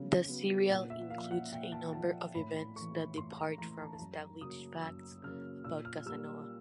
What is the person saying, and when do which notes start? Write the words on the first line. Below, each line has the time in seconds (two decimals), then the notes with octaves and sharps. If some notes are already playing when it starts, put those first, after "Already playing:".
The serial includes a number of events that depart from established facts about Casanova.
Already playing: C#3 F#3 B3
0.28 F#3 B3
0.69 A#2 F#5
0.90 E5
1.10 F3 A#3 F5
1.31 F#5
1.52 A#2 G5
1.72 A5
1.93 F3 A#3 A5
2.35 A2 B5
2.55 B5
2.76 E3 A3 C#6
2.96 B5
3.18 A2 C6
3.37 A#5
3.58 E3 A3 A#5
3.80 A5
3.93 A5
3.99 F#2 A#5
4.41 C#3 F#3 A#3 D#6
4.82 F#2 E6
5.23 C#3 F#3 A#3 F6
5.64 A#2 E6
5.85 F6
6.06 G3 A#3 E6